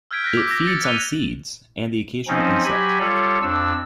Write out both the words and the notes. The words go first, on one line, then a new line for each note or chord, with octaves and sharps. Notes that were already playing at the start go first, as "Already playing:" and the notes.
It feeds on seeds and the occasional insect.
E6 F6 G6 G#6 B6 D7
F#6 G#6 A#6 B6
D6 E6 G6
D6 E6 A#6
G#6 A6 C#7
D6 F#6 C#7 D#7 F7 G7
F3 C4 C#4 D#4
F#3 G4 G#5 B5
G3 F4 A4 C#5
F2 D4 E6